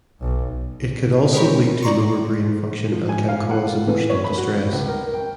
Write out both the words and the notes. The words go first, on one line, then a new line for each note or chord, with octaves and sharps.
It could also lead to lower brain function and can cause emotional distress.
B1
G#3 G4 A#4 C#5 B5
D5 A#5 C6 C#6
F3
G#5
F5
F#5
F4
E3
C#5
B5
F#4
C#2
A#4
G5